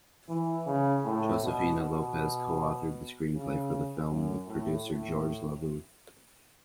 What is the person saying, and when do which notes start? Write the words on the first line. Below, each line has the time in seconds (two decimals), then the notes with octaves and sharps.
Josefina Lopez co-authored the screenplay for the film with producer George LaVoo.
0.29 E3
0.67 C#3
1.05 A2
1.43 B2
1.81 B2
3.33 C#3
4.09 F#2
4.47 A2
4.85 A2